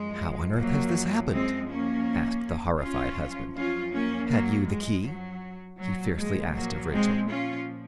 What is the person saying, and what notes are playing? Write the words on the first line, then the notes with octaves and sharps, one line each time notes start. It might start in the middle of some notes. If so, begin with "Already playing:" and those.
"How on earth has this happened?" asked the horrified husband. "Had you the key?" he fiercely asked of Rachel.
Already playing: F#2 F3 G#3
F#3 A#3
G#3 C4
A#3 C#4
F#2 F3 C#4 F4
C#4 F4
A#3 C#4
F#3 A#3
G#3
F#3
A#2 F3 F#3
G#3
F#3 A#3
G#3 C4
C#4 F4